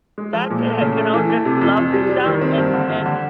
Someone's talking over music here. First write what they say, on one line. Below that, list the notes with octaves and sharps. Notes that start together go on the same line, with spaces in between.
that's it, you know, just love yourself and and
G#3
F3
A#2
A3
C#3
A3
E3
A3
C3
F2
F2
G3
G3
D#3
C4
G2
D3
G2
D3